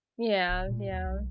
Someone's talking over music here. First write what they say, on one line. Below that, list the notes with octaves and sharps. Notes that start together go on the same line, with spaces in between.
Yeah, yeah.
D1
A#2
D#2
B1